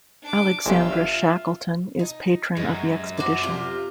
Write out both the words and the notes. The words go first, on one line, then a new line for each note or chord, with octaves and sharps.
Alexandra Shackleton is patron of the expedition.
D4 D6
G1 F4 E5
D#4
F#2 G#3
F#4 C5 D5
C3 F4